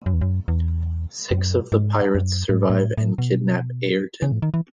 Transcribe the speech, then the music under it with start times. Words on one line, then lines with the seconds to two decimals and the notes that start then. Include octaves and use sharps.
Six of the pirates survive and kidnap Ayrton.
0.06 F#2
0.13 E2
0.21 F#2
0.48 E2
1.31 F#2
1.72 G#2
2.15 F#2
2.49 A2
2.55 G#2
2.70 A2
2.78 G#2
2.83 A2
2.97 A2
3.18 B2
4.22 C#3
4.32 A2
4.42 D#3
4.54 E3